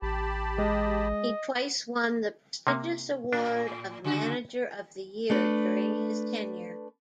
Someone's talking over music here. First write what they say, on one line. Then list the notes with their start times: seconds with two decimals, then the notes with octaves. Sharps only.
He twice won the prestigious award of Manager of the Year during his tenure.
0.02 A1 G4 A5 B5
0.58 G#3 D#5
2.67 C3 A#3
3.33 A2 D4
4.04 C#3 F#4
5.30 A3 D4 B4